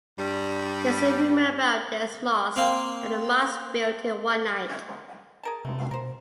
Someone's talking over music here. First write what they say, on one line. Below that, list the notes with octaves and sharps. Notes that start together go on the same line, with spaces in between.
There is a rumour about this mosque that the mosque built in one night.
G2 G3
A#3 C4
G#4 A#4 A5
C3 A3
B2 A#4 C5